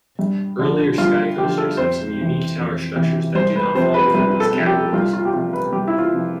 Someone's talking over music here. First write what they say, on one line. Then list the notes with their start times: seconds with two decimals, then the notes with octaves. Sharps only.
Earlier Skycoasters have some unique tower structures that do not fall within these categories.
0.19 G2
0.59 D3 F3
0.98 G2 F4
1.38 D3 F3 G4
1.58 A4
1.77 F2 C5
2.17 C3 E3
2.56 F2
2.96 C3 E3
3.35 C2 C5
3.56 B4
3.75 C3 F3 C5
3.94 B4
4.14 C2 B4
4.40 A4
4.54 C3 F3
4.67 G4
4.93 C2 F4
5.13 F4
5.25 G4
5.33 C3 F3 F4
5.53 B4
5.72 C2 G4
5.88 E4
5.98 F4
6.12 C3 F3